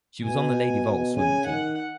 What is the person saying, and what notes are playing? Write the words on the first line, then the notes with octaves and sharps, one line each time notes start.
She was on the Lady Vols swimming team.
B2 G#5
B2
C#3 G#5
D#3 F#5